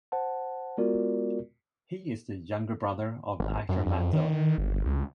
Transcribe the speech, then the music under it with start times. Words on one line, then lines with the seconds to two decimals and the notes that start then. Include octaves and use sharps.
He is the younger brother of actor Matt Dillon.
0.12 C5 F#5 A5
0.78 G#3 B3 F4 F#4 A#4 D5
3.40 G#1
3.69 F#2
3.86 F2
4.13 D#3
4.58 G1
4.86 C#2